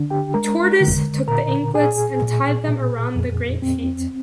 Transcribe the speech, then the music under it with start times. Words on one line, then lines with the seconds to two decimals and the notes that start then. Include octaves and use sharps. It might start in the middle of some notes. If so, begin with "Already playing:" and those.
Tortoise took the anklets and tied them around the great feet.
Already playing: D3 D4
0.10 G4 G5
0.34 G#3 A#4 A#5
0.81 D3
1.28 A#2 A#4 A#5
1.74 A#2 G#4 G#5
2.22 A#2
2.69 A#2
3.16 F2
3.62 C4